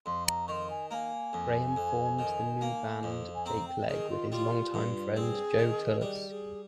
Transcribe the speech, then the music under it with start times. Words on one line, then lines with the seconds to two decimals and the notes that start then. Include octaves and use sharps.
Graham formed the new band Jakeleg with his long-time friend Joe Tullos.
0.06 F2 C6
0.27 A#5
0.48 D#3 C6 C#6
0.70 G#5
0.90 A#3 G#5 A#5
1.33 F2
1.77 F2
2.19 D#3
2.61 A#3
3.03 F2
3.35 G#5
3.46 C4 A#5
3.67 G5
3.89 D#3 G#4
4.10 F4
4.31 G3 F4
4.74 G2
5.16 C4 G#4
5.58 D#3
6.01 G3 G#4
6.30 G#4